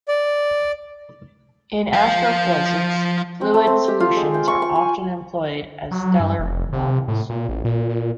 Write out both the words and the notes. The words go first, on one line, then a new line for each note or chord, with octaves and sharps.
In astrophysics, fluid solutions are often employed as stellar models.
D5
F3 F5
C4
A3
C4
G4
F4
G#3
G5
C#6
C#6
G#5
F#3
G2
F1
C3
A2
A#2
A1
A#2
A#2